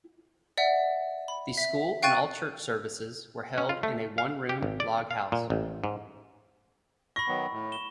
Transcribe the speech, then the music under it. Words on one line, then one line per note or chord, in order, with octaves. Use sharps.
The school and all church services were held in a one-room log house.
D5 E5 F#5
B5
E5 B6
F5 G5 C#6 F#6 A6 D#7
C#4
F4
A3
F5
G4
G#1
D5
F5
A#2
A1
G#2
B5 C#6 A#6
D#3 F#3 B3
A2
E7 G7